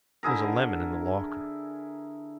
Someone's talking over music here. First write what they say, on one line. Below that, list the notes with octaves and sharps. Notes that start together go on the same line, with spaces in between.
There's a lemon in the locker.
D3 E4 G#4 A#4